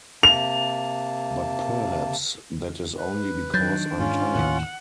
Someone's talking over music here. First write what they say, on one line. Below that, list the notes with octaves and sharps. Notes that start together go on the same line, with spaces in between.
But perhaps that is only because I’m tired.
C3 A#3 A5 F7
B4
D#3 F#3 D4 G6 A6
G#2 C#4 F4
D#2 A2 F#5